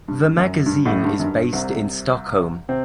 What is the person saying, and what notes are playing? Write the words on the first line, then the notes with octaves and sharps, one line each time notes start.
The magazine is based in Stockholm.
G2
F#2
G2
A1 A2
G2
F#2
G2
C2 C3
C3 C4